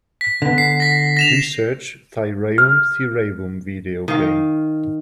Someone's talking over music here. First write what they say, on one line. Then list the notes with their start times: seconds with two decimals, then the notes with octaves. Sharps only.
Please search Thirayum Theeravum video game.
0.21 B6
0.42 D3 B3
0.58 C7
0.80 A#6 B6
1.17 A#6 E7 F7
2.58 F6
4.08 D#3 F5